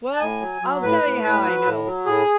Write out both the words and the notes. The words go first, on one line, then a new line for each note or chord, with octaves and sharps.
Well I'll tell you how I know!
A5
A2 G#5
F#3
F#3
A2 B4
A2
A2
F#3
A2
F#3
A2 G#4